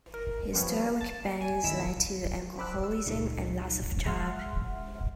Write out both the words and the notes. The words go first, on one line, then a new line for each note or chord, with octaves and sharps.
His stomach pains led to alcoholism and loss of job.
A#4
F3 G3 B3 C#4
A5
G#5
G1 C2 D#3 E4 B6 E7
C5 B5 D6 E6 F#6
E6
C#2 A#2 G#3 D#4
G#3 E5 F#5 C6 F6